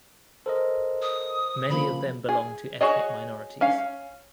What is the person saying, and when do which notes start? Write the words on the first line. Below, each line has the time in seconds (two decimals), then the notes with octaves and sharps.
Many of them belong to ethnic minorities.
0.46 A4 A#4 C5 D#5
1.02 D#6
1.70 C#3 F3 A#3 B5
2.29 G#4
2.81 F#4 G#4 C#5 D#5
3.61 C#4 F5